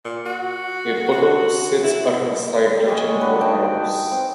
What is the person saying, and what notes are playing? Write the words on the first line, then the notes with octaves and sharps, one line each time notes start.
A putto sits at her side clutching more arrows.
A#2
F#4
F#4
E4
G3 G#3 C#5 G#5
D4 F#4 B4
D#4 G5 A5
C4